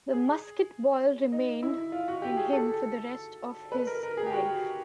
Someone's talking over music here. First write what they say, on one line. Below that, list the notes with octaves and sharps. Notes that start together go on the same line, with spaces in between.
The musket ball remained in him for the rest of his life.
G#4
D#4
E4
F4
F#4
G4
G#4
A4
B4
A#4
A#4
G#4
G4
F#4